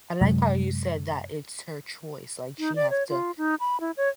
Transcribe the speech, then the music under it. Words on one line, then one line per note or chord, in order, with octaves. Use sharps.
I like how you said that it's her choice, like she have to
F#2 C3 F#3 G#3
D#4
D5
C#5
F4
D#4
B5
E4
C#5